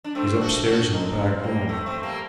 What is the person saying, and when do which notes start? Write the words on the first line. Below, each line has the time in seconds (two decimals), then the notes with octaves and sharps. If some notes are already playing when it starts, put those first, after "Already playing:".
"He's upstairs in the back room."
0.04 D4
0.15 A3 C4
0.41 D4 F#4
0.67 D4 F#4
0.92 C4 D#4
1.13 D4
1.18 A3 C4
1.43 G3 A#3
1.69 A3 C4
1.86 A3 C4
2.03 G3 A#3